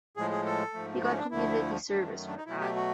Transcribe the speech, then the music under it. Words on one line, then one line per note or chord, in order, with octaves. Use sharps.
He got community service for that.
A2 F3 G#3 G#4
G#4
A4
G#2 F3 A3
F#4
C#4
D4
D2 D3 F3 A3 E4
F#2 D#3 F#3 A3 D4
D4
D#4
B2 F#3 A3 E4
G4
F#4